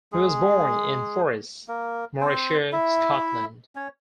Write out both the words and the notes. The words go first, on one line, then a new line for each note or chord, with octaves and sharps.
He was born in Forres, Morayshire, Scotland.
G#3 G#4
A#3 A#4
C4 C5
E4 E5
C#4 C#5